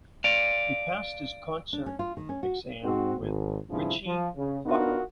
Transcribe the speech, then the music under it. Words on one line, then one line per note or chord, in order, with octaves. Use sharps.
He passed his concert exam with Richie Beirach.
D5 F5
D4
C#4
F4
D#3
C#4
F#4
G#2 C4 F#4
G#1
A1 G2 C3 F3 E4 G#4
F3
C#3
B3 D4 D#4 F4 F#4 A#4